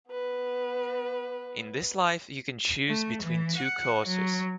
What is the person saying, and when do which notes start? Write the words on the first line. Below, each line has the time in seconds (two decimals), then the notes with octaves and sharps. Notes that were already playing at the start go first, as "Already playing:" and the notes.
In this life, you can choose between two courses.
0.11 B3 B4
2.88 A3
3.22 E3
3.57 F#5
4.07 F#3